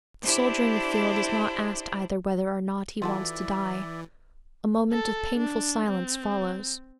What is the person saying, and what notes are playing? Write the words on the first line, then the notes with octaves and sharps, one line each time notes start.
The soldier in the field is not asked either whether or not he wants to die.' A moment of painful silence follows.
D4 E4 G4 C5 D5
E3 F4 F#4 A4 D5 E5
A4
D4
C4